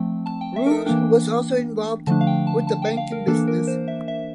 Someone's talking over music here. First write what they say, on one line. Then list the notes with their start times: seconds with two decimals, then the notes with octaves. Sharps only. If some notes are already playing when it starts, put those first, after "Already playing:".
Roos was also involved with the banking business.
Already playing: F3 A3 C4 G5
0.26 A5
0.41 G5
0.56 E5
0.66 A#4
0.71 A4
0.86 E3 A#3 D4 G5
2.07 D3 F3 A3 D4 A5
2.21 F5
2.27 G5
2.47 A5
2.67 A5
2.82 G5
2.97 F5
3.12 A#4
3.27 E3 A#3 D4 A4
3.47 A#4
3.67 C5
3.88 E5
4.08 E5